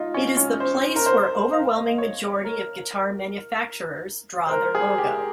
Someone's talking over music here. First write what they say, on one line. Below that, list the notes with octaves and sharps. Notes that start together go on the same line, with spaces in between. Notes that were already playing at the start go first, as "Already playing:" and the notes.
It is the place where overwhelming majority of guitar manufacturers draw their logo.
Already playing: D#4 F4
C#4
C#4
C5
A#4
C5
F5
D#5
C#5
A#4
C5
A#4
G#4
G4